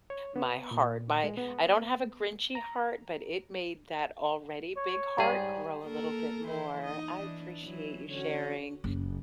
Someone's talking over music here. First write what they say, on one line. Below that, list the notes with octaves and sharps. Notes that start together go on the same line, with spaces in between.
my heart. My I don't have a grinchy heart, but it made that already big heart grow a little bit more. I appreciate you sharing,
C#5
B3
A#2
G#3
B3
A#5
C#5
G#2 G3 G#4
A#3 A4 A#4
E3 E4 C5
D#4 D#5
E3 D4
E3 F#3
D3 C#4 F#4
F#1